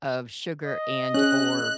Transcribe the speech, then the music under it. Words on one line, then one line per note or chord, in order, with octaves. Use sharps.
of sugar and/or,
D#5
C#4 G#4 F#6